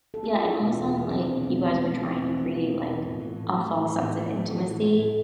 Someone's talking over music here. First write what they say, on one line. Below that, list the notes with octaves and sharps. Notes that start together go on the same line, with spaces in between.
Yeah, it almost sounds like you guys were trying to create, like, a false sense of intimacy,
A4
G#4
F4
D4 E4
B2
F4
E2
G#4
B3
C4 D4
B2
E2 C4
B3
G#3
A3 D4
B2 F3
E2 C4
B3 E4
D4 F4
B2
E2
B3
A2 F4
E3 A4
A2
A3
A2
E3
A2
A3
A2 G#4
E4
E3 F4
A2 E4
A3
A2